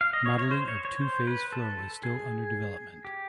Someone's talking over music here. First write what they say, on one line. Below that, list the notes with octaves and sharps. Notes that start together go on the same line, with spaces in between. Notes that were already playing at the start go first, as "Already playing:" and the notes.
Modelling of two phase flow is still under development.
F5
D#5
C#5
C#5
C5
C#5
C#5
C5
B4
A4
G#4
G4